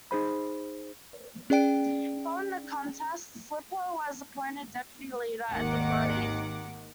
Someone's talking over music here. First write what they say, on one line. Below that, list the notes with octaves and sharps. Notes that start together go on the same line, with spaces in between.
Following the contest, Silipo was appointed deputy leader of the party.
D#4 G#4 C5 B5
C#4 G#4 D5 G5 D7
G#1 D#2 D#3 F#5 D6